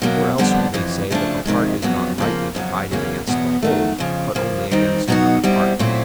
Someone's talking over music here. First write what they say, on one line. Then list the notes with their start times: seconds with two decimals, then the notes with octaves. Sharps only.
Or else we may say that a part is not rightly divided against the whole, but only against another part.
0.02 B2 F#3 A#3
0.38 F2 D3 G3 B3 D4
0.74 F2 C3 E3
1.11 C#3 F3 A3 D4
1.45 F2 C3 D#3 G#3
1.82 F2 C#3 F#3 B3
2.18 C#3 F3 A#3
2.55 F2 C#3 F#3
2.91 E2 C#3 F#3 A#3 C#4
3.27 E2 B2 F#3 B3
3.63 D#3 F#3 A3
3.99 F2 C#3 F3
4.35 C#3 F3 A#3
4.71 D#3 G3 C4 D#4
5.08 B2 F#3 B3 D#4 F#4
5.44 B2 G3 C4 E4
5.79 A#2 F#3 A3 C4 E4